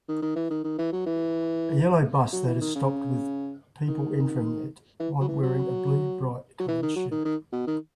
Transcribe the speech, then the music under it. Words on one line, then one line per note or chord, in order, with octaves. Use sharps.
A yellow bus that is stopped with people entering it one wearing a blue bright colored shirt.
D#3
D#3
E3
D#3
D#3
E3
F#3
E3
F#3
E3
D#3
C#3
D#3
E3
F#3
E3
F#3
F#3
E3
D#3
F#3
D#3
D#3
B2
D#3